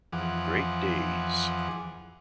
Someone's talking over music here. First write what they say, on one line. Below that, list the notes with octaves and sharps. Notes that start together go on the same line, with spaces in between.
Great days!
F2 E3 F3 G#4 F#5 D6